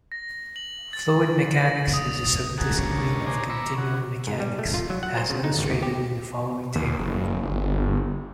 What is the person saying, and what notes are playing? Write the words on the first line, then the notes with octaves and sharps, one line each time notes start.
Fluid mechanics is a subdiscipline of continuum mechanics, as illustrated in the following table.
A#6
F#7
A6
A#6
D#6
A#3 F#4 G#4 A4
D2 G#2 C#3 A#4 C#5 A5
A#2 D#4 C5 D5 G#5 A#5
A#5 B5 C#6 D6 E6
C#3 F#4
G#2
G3
A3
F4
F#3
F#5
C5
C#3
D#4
G#1
D#2
G4
D#2
F#1
G1